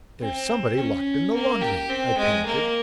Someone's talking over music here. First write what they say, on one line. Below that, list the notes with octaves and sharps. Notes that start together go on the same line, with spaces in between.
"There's somebody locked in the laundry," I panted.
C4
C#4
A#3
G4
C4
G#3
A#3